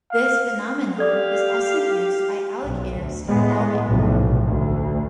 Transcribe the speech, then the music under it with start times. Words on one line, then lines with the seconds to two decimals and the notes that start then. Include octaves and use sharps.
This phenomenon is also used by alligators to call mates.
0.11 F5
0.98 G4 A4 D5 F5 D6
2.64 B1
2.94 D2
3.27 A2 G#3 B3
3.86 F1 B1 A2
4.46 D2